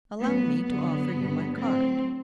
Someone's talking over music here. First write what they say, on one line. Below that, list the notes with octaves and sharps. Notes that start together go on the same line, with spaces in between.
"Allow me to offer you my card."
A2 F#3 B3
F#2 D3 F#3 B3
G2 D3 F#3
A2 F#3 C4